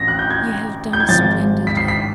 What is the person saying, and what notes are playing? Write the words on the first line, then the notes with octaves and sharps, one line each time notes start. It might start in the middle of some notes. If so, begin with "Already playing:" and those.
"You have done splendidly."
Already playing: A1 A#6
F#6
G6
G#6
G6
G#6
G#1 G#2 F3 A6
B6
C7
B6